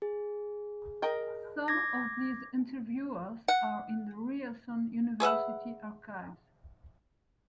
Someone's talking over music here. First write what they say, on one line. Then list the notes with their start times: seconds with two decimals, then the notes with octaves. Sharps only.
Some of these interviews are in the Ryerson University archives.
0.02 G#4
1.02 A#4 D#5 G5
1.68 D6 G#6 A#6
3.48 F#5
5.20 G#4 B4 E5 F#5